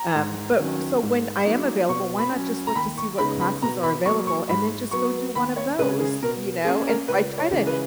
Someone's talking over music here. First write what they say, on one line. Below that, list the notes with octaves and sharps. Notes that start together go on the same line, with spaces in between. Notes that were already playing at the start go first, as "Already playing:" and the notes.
Um, but so, when I am available, why not just look to see what classes are available and then just go do one of those? You know? And so, I try to
Already playing: A#5
G#2
D#3 F#3 C#4
G#2
F#3 A#3 D#4
B2 C#6
B5
F#3 C#4
A#5
D#2 B5
C#6
C#3 G#3 B3 D#4 B5
B5
B2 A#5
B5
F#3 A#3 C#6
C#6
G#2 B5
F#3 B3 C#6
D#2 B5
C#5
C#3 G#3 C#4 B4
G#4
B2 A#4
A#3 C#4 G#4
A#4
C#2 B4
C#5
C#3 E3 G#3
B4